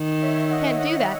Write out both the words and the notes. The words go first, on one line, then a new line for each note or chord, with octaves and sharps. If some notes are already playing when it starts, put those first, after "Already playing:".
Can't do that.
Already playing: D#3
C#5 E5
D#5 F#5
D#5 F#5